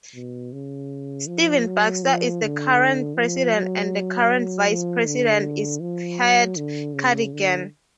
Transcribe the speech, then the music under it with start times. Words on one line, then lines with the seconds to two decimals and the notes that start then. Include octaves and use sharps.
Stephen Baxter is the current President and the current Vice-President is Pat Cadigan.
0.15 B2
0.53 C#3
1.28 F3
1.66 F#3
2.03 F3
2.42 D3
3.17 F3
3.55 F#3
4.68 F3
5.05 D3
5.81 F3
6.19 F#3
6.57 D3
6.94 C#3
7.33 D3